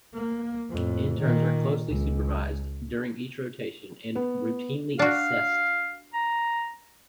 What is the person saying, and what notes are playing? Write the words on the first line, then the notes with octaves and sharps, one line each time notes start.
Interns are closely supervised during each rotation and routinely assessed.
A#3
F2 A2
A#2 D#3
C#2
B3
D4 F#4 F5
A#5